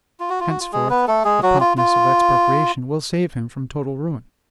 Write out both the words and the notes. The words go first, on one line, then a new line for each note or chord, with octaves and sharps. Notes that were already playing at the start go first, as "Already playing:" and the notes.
Henceforth, the promptness of expropriation will save him from total ruin.
F4
F#4
F4
F#4
F4
G#3 G#4
B3 B4
A3 A4
G#3 G#4
F#3 F#4
F4
F4